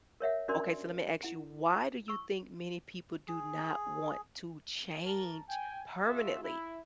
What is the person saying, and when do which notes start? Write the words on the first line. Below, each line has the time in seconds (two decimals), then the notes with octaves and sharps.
okay, so let me ask you, why do you think many people do not want to change permanently?
0.20 A#4 C#5 E5 F#5
0.48 C#4 D4 F#4 A#4 D5 C6
1.23 E4 F#5 A#5
2.08 C#6 E6
3.28 G#4
5.04 A#4 A5
5.49 G5 G#5
6.03 F4 F#4 G#4 E5
6.43 E4